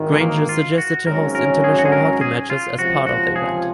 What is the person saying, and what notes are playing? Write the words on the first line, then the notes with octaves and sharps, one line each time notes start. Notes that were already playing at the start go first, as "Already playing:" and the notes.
Granger suggested to host international hockey matches as part of the event.
Already playing: G#1 G#2 D#3
G#3
A#3
F4
F#4
G#1 G#2 F#3 C#4 A#4
A#4
G#4
F#4
G#4
A#4
G#4
F4
C#2 C3 F3 F#4
F#4
G#4